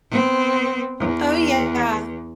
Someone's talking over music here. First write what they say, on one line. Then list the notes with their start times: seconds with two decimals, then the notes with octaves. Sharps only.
Oh, yeah.
0.10 B3 C4
0.99 E2